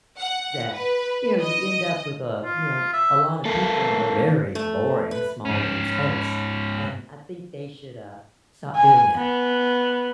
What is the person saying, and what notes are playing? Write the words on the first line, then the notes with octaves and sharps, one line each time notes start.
that, you know, you end up with a, you know, a lot of people in a very boring, small little space, and I think they should, uh, stop doing that.
F#5
B4
D#5
F4
E5
A#3 A4
A3
B4
G#2 C#4
G#5
B3